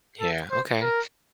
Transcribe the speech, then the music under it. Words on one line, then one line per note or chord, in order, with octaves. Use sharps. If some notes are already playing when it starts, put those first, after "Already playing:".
Yeah, okay.
A4
C5
A#4